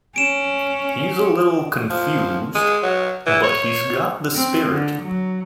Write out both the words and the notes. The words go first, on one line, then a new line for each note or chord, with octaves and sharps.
He's a little confused but he's got the spirit.
C#4 D7 E7
F3
G#3
F#3
E3
C#5
C4
D3
F#3